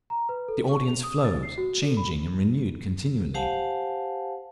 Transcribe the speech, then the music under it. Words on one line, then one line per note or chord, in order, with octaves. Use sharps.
The audience flowed, changing and renewed continually.
A#5
B4
A4
C#6
F7
D#6
A6
C7
F#4
A4
B5
G4 C5 F5 F#5 G#5 A5